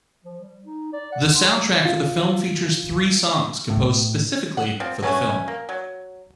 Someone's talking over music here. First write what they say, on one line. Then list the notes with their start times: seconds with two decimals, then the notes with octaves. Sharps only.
The soundtrack for the film features three songs composed specifically for the film.
0.25 F3
0.41 G3
0.65 D#4
0.93 D5
1.12 F#5
1.35 C6
1.50 F#3
1.85 F4
3.70 A2
4.57 F#5
4.80 F3 C4
5.03 F#3 A3 C#4 B4
5.48 A#3
5.69 F#3